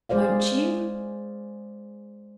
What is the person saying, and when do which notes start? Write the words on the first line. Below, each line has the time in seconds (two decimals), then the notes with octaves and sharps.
Won't you?'
0.09 G#3 G#4 C5 D5 F5